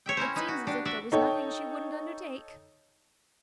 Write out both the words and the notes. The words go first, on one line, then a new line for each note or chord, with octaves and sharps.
"It seems as if there was nothing she wouldn't undertake."
C#5 E5 G5
C#4 E4 A#4 C5
D#4 B4
F#4
D4 F#4 G4
F#4 D5 E5
D#4 A4 C#5 G5